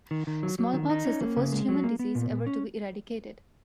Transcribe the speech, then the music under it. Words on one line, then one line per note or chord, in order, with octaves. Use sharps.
Smallpox is the first human disease ever to be eradicated.
D#3
D#3
F#3
F#3
D#3
D#4
C#4
A#3
C#3
G#3
F#3
A#3
B3
A#2
A#2
C#4